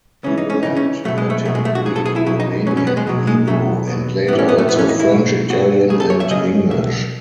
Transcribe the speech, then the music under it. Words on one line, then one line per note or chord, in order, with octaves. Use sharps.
He learned Latin, Greek, Romanian, Hebrew and later also French, Italian and English.
C#3 E3 C#4
D#4
C#4
C#3 E3 D#4
C#4
B2 F#3 A3
G#3
A3
B2 F#3 A3
G#3
A3
F#4
B2 F#3 G#4
A4
G#4
E4
B2 F#3 E4
D#4
B2 F#3 C#4
C#4
B3
G#3
B2 F#3
G#3
B2 F#3 A3
B2 F#3
A2 E3 B3
C#4
B3
A3
A2 E3 B3
C#4
D#4
E4
B2 F#3
B2 F#3 F#4
C#3 F#3 G#4
A4
C#5
E5
C#3 F#3 D#5
B2 F#3 E5